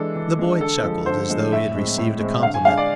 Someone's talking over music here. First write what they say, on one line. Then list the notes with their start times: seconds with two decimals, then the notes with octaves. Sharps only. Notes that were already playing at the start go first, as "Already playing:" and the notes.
The boy chuckled as though he had received a compliment.
Already playing: E3 G#3 D4 A4
0.16 E3
0.39 G#3 D4
0.61 D3 A4
0.83 F3 G#3
1.06 D3 C5
1.30 F3 G#3
1.52 A2 E5
1.75 G#3 C4
1.98 A2
2.20 G#3 C4
2.43 D3 F5
2.54 G#5
2.65 G#3 D4 F5
2.78 D5